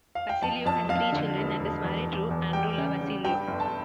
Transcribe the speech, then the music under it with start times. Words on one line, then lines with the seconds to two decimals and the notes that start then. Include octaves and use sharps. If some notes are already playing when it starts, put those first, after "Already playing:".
Vassiliou has three children and is married to Androulla Vassiliou.
0.15 F5
0.29 G5
0.42 F2 A5
0.65 F2 A5
0.89 F2 F5
1.12 D3
1.37 E1
1.60 E1
1.83 E2
2.07 E2
2.30 E2
2.53 G3 G5
2.78 C#3
3.01 C#3
3.24 G2 G5
3.48 G1
3.60 A5